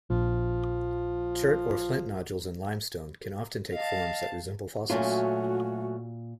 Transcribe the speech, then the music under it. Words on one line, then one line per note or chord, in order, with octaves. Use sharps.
Chert or flint nodules in limestone can often take forms that resemble fossils.
A#1 F3
D#5 F5 A5
A#2 F#3 A3 C#4 F4 F#4